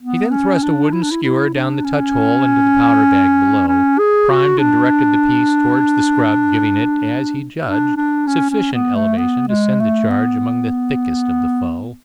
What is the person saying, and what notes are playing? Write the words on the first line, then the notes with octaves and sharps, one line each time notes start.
He then thrust a wooden skewer down the touch-hole into the powder bag below, primed and directed the piece towards the scrub, giving it, as he judged, sufficient elevation to send the charge among the thickest of the foe.
B3
C#4
D4
E4
D4
E4
E4
D4
C#4
C#4
G#4
F#4
D4
D4
D4
C#4
C#4
B3
A3
B3
G#3
A3
B3